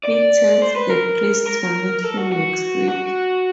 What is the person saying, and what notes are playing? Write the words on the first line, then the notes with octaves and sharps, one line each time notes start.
He tells the priest to meet him next week.
D5
C5
B4
A#4
A#4
A4
F#4
F#4
F#4